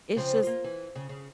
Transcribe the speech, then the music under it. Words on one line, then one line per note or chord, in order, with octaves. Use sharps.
It’s just
C#3 F3 C4
A#3 F4
E3
C#3
C#3